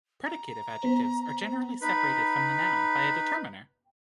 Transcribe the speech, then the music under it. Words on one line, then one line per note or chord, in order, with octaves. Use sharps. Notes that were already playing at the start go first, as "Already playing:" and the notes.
Predicative adjectives are generally separated from the noun by a determiner.
A#5
B3 C5
D#4 B4 B5